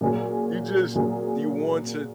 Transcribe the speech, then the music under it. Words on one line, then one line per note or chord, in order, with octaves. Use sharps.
you just, you want to
A#2 F#3 C#4 G#4
A#2 F#3 C#4 G#4